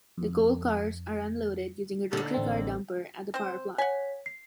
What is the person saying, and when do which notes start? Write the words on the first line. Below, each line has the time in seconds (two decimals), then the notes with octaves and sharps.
The coal cars are unloaded using a rotary car dumper at the power plant.
0.18 F2
2.13 D#2 D3
2.34 A1 C4
3.34 C4 C5
3.78 C#5 F#5 G#5 B6
4.26 C7